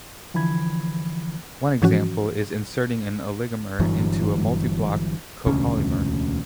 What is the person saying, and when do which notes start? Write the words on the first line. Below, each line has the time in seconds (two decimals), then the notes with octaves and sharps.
One example is inserting an oligomer into a multiblock copolymer.
0.34 D3 E3 F3 B5 G#6
1.82 G#2 E3 F3 C#4 F#4
3.79 G1 G2 E3 F#3
5.47 E1 D2 C#3 C#4